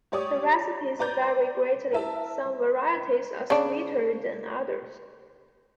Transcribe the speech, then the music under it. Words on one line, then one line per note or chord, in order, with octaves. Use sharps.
The recipes vary greatly; some varieties are sweeter than others.
G4 C#5 D5 C#6 D#6
B4 D5 A#5 G6 A6
E4 A#4 E5 A5
C#3 D4